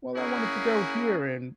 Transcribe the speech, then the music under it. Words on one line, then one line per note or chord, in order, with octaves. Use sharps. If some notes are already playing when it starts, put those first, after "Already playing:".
"Well, I wanted to go here and
A#3 C#4 E4 F#4 G#4